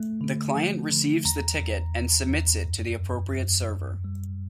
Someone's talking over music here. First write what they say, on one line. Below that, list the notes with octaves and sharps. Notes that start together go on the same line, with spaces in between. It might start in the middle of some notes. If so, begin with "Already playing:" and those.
The client receives the ticket and submits it to the appropriate server.
Already playing: A3
D3
F3
D3
E2 A#5
E2
E2
E2
F#2
F#2
F#2
F#2
G3